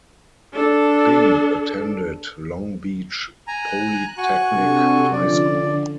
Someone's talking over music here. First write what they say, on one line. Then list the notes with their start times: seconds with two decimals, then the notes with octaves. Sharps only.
Bing attended Long Beach Polytechnic High School.
0.53 D4 A4
3.47 G#5 A#5 F#6
4.18 F#4 G#5 C#6
4.51 C3 D4 A4
5.12 D3 F3 C#4 D5
5.46 D3